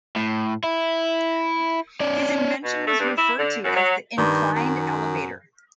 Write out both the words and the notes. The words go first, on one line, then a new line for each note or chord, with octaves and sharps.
His invention was referred to as the inclined elevator.
A2
E4
C#4 D5
B2
A3
G2
E4
D3
F#2
F#3
G2 D#3
F#2